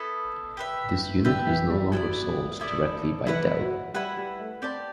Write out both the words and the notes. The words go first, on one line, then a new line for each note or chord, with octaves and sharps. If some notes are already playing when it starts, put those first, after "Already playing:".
This unit is no longer sold directly by Dell.
Already playing: B3 E4 A4
G4 B4 E5
D3 G4 B4 E5
E3
G3
F#3 B3 E4 A4 D5
B3 E4 A4 D5
E3 E4 B4 F#5
F#3
G3 E4 B4 F#5
G3
A3
C4 G4 D5 A5